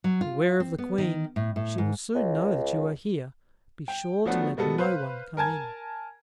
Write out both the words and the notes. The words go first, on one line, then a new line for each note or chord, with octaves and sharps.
"Beware of the Queen; she will soon know that you are here; be sure to let no one come in."
F#3
F4
C4
B3
D#3
A2
A2
G#2
C#2
G5
F3 F#3 A3 B3 D4 F#4
B2 G3 G#3 B3 A4
B4 C5 F5 F6
A#4 G#5 A5 G#6